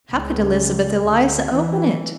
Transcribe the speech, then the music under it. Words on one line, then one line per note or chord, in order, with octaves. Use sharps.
How could Elizabeth Eliza open it?
C#2
D2
E3